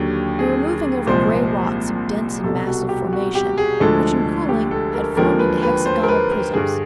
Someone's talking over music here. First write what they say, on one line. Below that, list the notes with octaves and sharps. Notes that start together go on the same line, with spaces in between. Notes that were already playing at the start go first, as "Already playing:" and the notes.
We were moving over grey rocks of dense and massive formation, which in cooling had formed into hexagonal prisms.
Already playing: D#2 D3 F#3 G4
G#4
C2 A#2 F3 G#3 C5
C2 B2 G3 A4
F#4
G4
F#4
G4
G#4
D2 D3 F3 G#3 A4
G4
A4
A#4
A4
D#2 D3 F3 G#3 A#4
B4
B4
C5
A#4
B4
A#4
G2 D3 G3 G#4